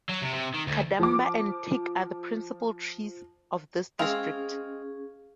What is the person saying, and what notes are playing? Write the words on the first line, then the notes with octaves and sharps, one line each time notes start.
Cadamba and teak are the principle trees of this district.
F#3
C3
C3
D#3
D2
F3 D6
G#3 C4 C#4 G#4 F5 F6